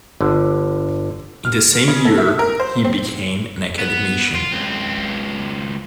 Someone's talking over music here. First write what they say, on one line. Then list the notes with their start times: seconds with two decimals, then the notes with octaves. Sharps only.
In the same year he became an Academician.
0.21 G1 D3
1.45 F6
1.88 C#3
2.05 A4
2.18 E5
2.39 A#4
2.60 C5
2.85 C4
3.79 B3
4.36 F4
4.52 C#2 C4